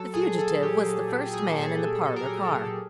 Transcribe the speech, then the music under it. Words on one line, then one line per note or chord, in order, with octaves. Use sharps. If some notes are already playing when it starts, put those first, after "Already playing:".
The fugitive was the first man in the parlor car.
Already playing: F#3 A4
A#2 G#4
F#3 A4
A#2 G4
F#3
A#2
F#3 G#4
A4
A#2 G#4
F#3
A#2 A4
A#4
F#3 A4
A#4
A4
A#2 A#4
A4